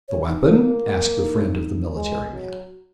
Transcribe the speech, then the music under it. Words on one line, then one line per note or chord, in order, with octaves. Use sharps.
"The weapon?" asked the friend of the military man.
C#5
D#4
A#3
D#4
G#3
F#3